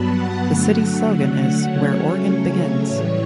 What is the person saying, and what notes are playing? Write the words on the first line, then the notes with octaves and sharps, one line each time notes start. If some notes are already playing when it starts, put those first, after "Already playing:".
The city's slogan is "Where Oregon Begins".
Already playing: G2 F#3 B3 A5 B5
F#5
D3 F#3 A3
C#3 F#3 A3 C#4 C#5
A2 E3 G3